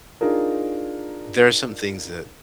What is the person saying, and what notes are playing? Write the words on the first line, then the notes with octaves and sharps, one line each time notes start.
there are some things that
D4 D#4 F4 G#4 A#4